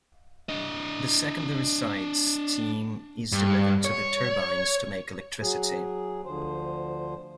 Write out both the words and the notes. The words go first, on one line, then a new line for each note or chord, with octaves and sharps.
The secondary-side steam is delivered to the turbines to make electricity.
D4 D#5
G2
C#5
F#3 G#4
D2 D3 F3 C5